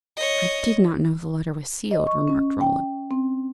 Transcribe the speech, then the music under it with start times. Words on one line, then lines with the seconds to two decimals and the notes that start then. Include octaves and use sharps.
"I did not know the letter was sealed," remarked Roland.
0.16 C#5 D#5
1.91 D#5
2.07 C#6
2.28 C#4
2.61 G5
3.11 C4